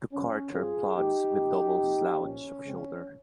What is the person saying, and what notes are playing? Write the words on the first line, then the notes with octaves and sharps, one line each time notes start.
The carter plods with double slouch of shoulder.
F2 C3 G3 C4 C#4
G2 G3 C4 F4 G#4
G#2 D#3 A#3 D#4 G4
F2 C#3 F3 A#3
F2 C3 F3 A#3
C2 A#2 F3 C#4
F2 C#3 G#3 C4